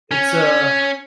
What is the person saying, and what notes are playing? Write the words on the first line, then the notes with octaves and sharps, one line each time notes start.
It's a
C#4